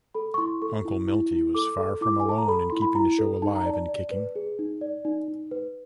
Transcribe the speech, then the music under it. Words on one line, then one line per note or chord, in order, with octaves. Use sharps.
Uncle Miltie was far from alone in keeping the show alive and kicking.
A4 B5
C#6
E4 C6
A4 C#6
E4
E4
E4
A4 D6
A4
E4 D6
G#5
A4 A5
A#5
A4 B5
E4 C6
B5
E4 A#5
A4
D#4 A5
A#5
D5 A5
D5
B4
G#4
D#4
D5
D#4
D#4
B4